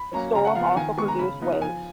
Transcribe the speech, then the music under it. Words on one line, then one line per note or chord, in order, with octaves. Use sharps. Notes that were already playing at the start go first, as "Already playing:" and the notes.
The storm also produced waves.
Already playing: B5
F#3 A#3 C#4 A#5
C#3 A#5
F#5
F3 B3 F5
F5
D#3 G#5
G#3 B3 C#6
A#5
C#3 B5
F3 B3 D#4
F3 G#5